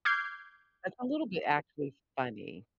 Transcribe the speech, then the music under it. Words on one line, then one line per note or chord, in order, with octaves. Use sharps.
That's a little bit actually funny.
D6 F6 G6 G#6 C7